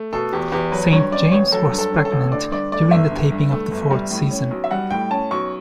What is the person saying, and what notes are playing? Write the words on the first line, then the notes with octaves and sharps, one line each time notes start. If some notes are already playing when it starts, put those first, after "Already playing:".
Saint James was pregnant during the taping of the fourth season.
Already playing: A3
B2 A4
E2 G4
E2 G4
F#3 B4
G2 C#5
C#4 D5
A1 C#5
F#3 A4
G2
A4
C#4
A4
A1
D3 D5
G2 D5
A3 D5
G1 E5
D3
G2
A3
G1
G3
A2
C#4
B1
E5
G3 F#5
A2 G5
C#4 A5
B1 C#6